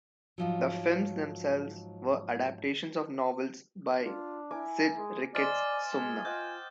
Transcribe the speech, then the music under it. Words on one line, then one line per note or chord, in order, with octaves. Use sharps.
The films themselves were adaptations of novels by Cid Ricketts Sumner.
G#2 F3 F#3
D4 F4
E4 A#4 G#5 D6
G#3
C5 D5 D#5 G#5 C6 D6 F6 A6
G#3 G#5
F4 D#5 F#5 G5 G6